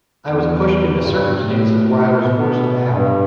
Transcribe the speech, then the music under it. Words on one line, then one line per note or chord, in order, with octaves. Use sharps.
I was pushed into circumstances where I was forced to act.
E2
G2
A2
B2
G2